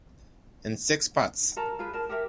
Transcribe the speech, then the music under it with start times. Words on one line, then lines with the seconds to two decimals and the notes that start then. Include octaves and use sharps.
In Six Parts.
1.56 A4 A#4 A5 A#5
1.79 F4 G#4 B4
1.93 A#4 A5
2.09 G4 A4 A#4 E5